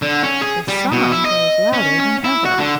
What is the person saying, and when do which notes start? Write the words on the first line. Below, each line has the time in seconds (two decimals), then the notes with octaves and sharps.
The song grows louder than ever.
0.02 D3
0.23 C#4
0.41 G#4
0.68 G3
0.92 B2
1.12 E4
1.25 D#5
1.73 C#4
2.00 C#4
2.24 E4
2.45 F#4
2.59 D3